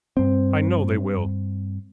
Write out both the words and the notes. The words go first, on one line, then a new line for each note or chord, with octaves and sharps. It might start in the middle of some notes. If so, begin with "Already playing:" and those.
I know they will!'
G2 C4